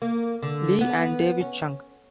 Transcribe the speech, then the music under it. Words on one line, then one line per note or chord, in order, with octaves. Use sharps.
Li and David Chung.
A#3
D3
B3
C#4